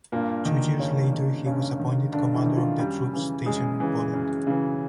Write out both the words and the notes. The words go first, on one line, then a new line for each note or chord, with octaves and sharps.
Two years later he was appointed commander of the troops stationed in Poland.
G2 A#2 A#3
D#3
G2 C#3 C#4
D#3
G2 C#3 C#4
D#3
G2 D3 D4
E3 E4
D#3
F3 F4
F#2 G3 G4
C#3 E3
F#2 G#3 G#4
C#3 E3
F#2
C#3 E3